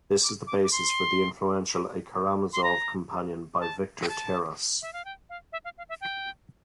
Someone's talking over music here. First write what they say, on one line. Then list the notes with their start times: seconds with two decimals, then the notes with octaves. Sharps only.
This is the basis for the influential "A Karamazov Companion" by Victor Terras.
0.23 D6
0.47 D6
0.64 D6
0.72 C6
2.53 C6
2.64 A#5
3.60 A5
4.03 G5
4.09 A5
4.82 E5
4.93 F5
5.05 G5
5.29 F5
5.52 E5
5.64 F5
5.78 F5
5.89 E5
6.01 G5